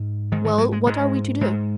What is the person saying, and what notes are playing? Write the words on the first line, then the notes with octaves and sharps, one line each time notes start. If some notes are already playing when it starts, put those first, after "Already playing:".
"Well, what are we to do?"
Already playing: G#2
G#2 D#3
D#3
F#3
G#3
G#2 G#3
G#2